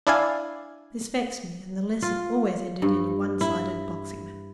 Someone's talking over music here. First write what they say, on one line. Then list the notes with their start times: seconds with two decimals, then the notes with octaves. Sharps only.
This vexed me and the lesson always ended in a one-sided boxing match.
0.07 D4 E4 D5 F5 G#5
2.02 F4
2.82 G2
3.41 E4